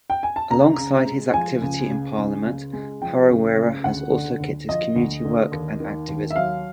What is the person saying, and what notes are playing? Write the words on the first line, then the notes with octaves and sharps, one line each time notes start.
Alongside his activity in Parliament, Harawira has also kept his community work and activism.
G5
G#5
A5
C#2 A#5
C#3
G#3
F3 G#5
C#2
C#3
C#2
C#3
G#3
F3 G5
C#2
C#3
D2 F#5
D3
D2
F3 D#5
D2
D3
D#2
D#3
D#2
E5
F#3 F5